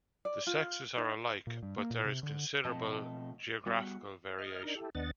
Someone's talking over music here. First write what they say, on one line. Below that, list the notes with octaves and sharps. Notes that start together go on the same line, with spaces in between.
The sexes are alike, but there is considerable geographical variation.
D5
F4
D#4
A#2
G2
A#3
A#2
C3
D3
B2 F3 A3 C4 D#5 A5
G3 B3 F#4
D#5 F6
D4 D#4 A#4
E4 G4 A4
D#2 B3 D4 D#5 F#5 A6